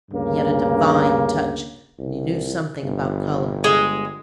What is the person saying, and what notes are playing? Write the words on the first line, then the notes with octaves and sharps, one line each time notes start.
He had a divine touch, and he knew something about colour.
D2 G2 C#3 A#3
C2
G1
G#3